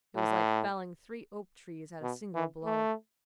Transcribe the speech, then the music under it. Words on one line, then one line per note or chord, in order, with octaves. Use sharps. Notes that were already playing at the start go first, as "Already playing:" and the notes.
It was like felling three oak trees at a single blow.
A2
B2
E3
A3